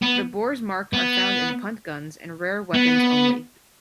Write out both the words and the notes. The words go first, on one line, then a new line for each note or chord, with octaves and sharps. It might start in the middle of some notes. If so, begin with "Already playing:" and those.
The bores marked are found in punt guns and rare weapons only.
B3
B3
B3